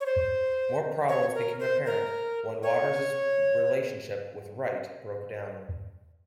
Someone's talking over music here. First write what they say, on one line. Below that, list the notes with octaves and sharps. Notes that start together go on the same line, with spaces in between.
More problems became apparent when Waters's relationship with Wright broke down.
C#5
C5
C#5
A#4
C5
A#4
C#5